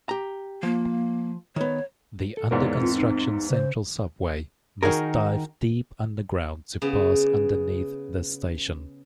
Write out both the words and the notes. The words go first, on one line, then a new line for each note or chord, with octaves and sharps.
The under-construction Central Subway must dive deep underground to pass underneath this station.
G4 A#5
F3 A#3
D#3 B3 C#5
A4
E2 G#2 A#3 A#4 C#5 D5
C4 F4
D#4
C#3 C5
D#3 D#4 F#4 G#4 A#4
C#3 B3